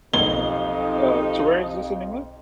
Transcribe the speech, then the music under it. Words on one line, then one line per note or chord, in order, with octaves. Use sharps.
Uh, so where is this in England?
B1 F2 C3 D#4 D#5 G7